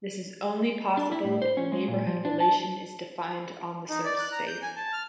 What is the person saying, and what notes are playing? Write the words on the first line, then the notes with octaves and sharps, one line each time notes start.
This is only possible if a neighborhood relation is defined on the search space.
D4
E4
A2
C5
C#4
G#3
A#2
F3
D4
A5
D#4
D5
F#6
A#5
G6
G#5
A5
F6